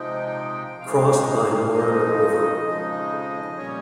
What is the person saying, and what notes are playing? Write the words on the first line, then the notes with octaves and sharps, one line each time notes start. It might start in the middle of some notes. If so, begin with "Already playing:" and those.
Crossed by Marne River.
Already playing: C3 F3 G#3 D#4 G5
C3 F3 G#3 D#4 F5
F2 C#3 F3 G#3 D#4 D#5
F2 C#3 F3 G#3 D#4
A#2 G3 C#4 C#5